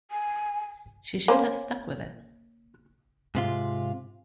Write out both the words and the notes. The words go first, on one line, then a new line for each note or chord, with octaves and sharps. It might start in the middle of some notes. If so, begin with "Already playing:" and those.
She should have stuck with it.
G#5
A#3 C#4 C5
G#2 C3 F4